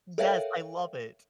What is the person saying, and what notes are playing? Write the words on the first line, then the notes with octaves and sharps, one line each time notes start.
Yes, I love it.
A4 A#4 C#5 E5 F5 G5